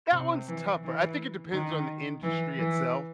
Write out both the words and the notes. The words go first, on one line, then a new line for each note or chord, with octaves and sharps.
that one's tougher. I think it depends on the industry itself.
C3
E3
E3
D#3
E3
E3